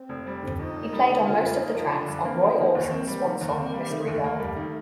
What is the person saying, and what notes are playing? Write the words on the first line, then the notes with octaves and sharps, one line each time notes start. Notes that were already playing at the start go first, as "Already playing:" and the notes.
He played on most of the tracks on Roy Orbison's swansong "Mystery Girl".
Already playing: C4
F1
G3
D3
F2 D#4
F1
G3
D3
D3 F4
G2
A#3 D#4
F3
D3 D4
G2
A#3 C4
F3
D#3 A#3
D#2
C4
G3
D#3
D#2
C4
G3
D#3 A3
D#2
A#3
G3
D#3